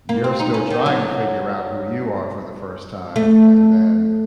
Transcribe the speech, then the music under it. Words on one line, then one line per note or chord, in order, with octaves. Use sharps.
you're still trying to figure out who you are for the first time, and then
A#3
C4
D#4
C#4
D#3
F#3
A3